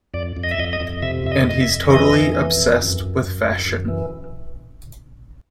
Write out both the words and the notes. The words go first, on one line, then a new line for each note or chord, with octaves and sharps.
And he's totally obsessed with fashion.
F2 D5
F2
D#5
E5
F2 D#5
D#5
F2
C3 E5
F2 E5
D#5
F2 D#5
E5
F2
E3 D#5
F2
E3
F2
F#2
F#2
F#2
F#2
F#2
E3